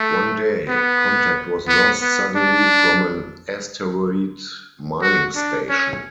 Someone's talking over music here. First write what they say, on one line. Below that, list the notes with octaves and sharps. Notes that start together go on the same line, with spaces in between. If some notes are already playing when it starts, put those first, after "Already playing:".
One day, contact was lost suddenly from an asteroid mining station.
Already playing: A3
B3
B3
B3
D4
F#4
D4
C#4